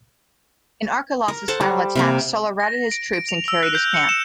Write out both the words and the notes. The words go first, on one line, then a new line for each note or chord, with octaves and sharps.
In Archelaus' final attack, Sulla routed his troops and carried his camp.
A#4
A4 C5 F#5 A5
G3
C3 A#3 A#4
A#6
D7
D7
F7
E6
F#6
G6
C#7
E7